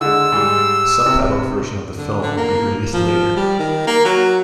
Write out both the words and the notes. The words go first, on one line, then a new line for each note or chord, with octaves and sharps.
A subtitled version of the film will be released later.
D3 G#3 E6
G#2 G3
C3
D3
D3
A#3
F3
G3
D#3
A#3
F#3